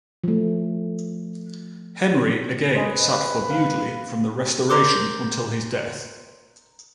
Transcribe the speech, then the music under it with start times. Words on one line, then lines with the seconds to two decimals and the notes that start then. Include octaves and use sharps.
Henry again sat for Bewdley from the Restoration until his death.
0.24 F3 A3
2.75 B4 C5 D#5 G#5
3.51 F5
4.70 A#4 C5 D6